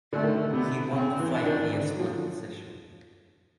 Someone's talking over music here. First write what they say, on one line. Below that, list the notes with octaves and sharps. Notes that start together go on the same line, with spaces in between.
He won the fight via split decision.
D3 A3
D#3
D3
C3 B3
C#3 C4
E3
D4
D#3
D3
F#3
F3